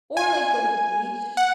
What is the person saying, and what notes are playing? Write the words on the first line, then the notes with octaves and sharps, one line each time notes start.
or, like, go to the beach.
G#5
F#5